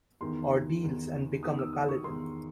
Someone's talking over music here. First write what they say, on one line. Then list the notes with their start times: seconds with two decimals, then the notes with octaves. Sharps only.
Ordeals and become a Paladin.
0.21 E2 D#3 C6
0.82 E2 D#3
1.43 E2 D#3 D#6
1.59 E6
1.73 D#6
1.89 C#6
2.04 E2 D#3 C6